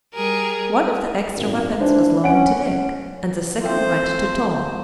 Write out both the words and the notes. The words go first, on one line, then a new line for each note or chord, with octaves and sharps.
One of the extra weapons was loaned to Dick and the second went to Tom.
G3 G#4 A#4
G#1 F#2 A#2
E3 D4 C5
C#4 F#5 D7
F3 A3 C4 C5